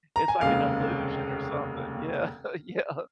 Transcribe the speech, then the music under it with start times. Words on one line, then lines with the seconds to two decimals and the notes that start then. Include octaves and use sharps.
it's like an illusion or something. Yeah. Yeah. Uh,
0.16 A#5
0.28 G#5
0.41 F1 D#2 C#3 G#3 F5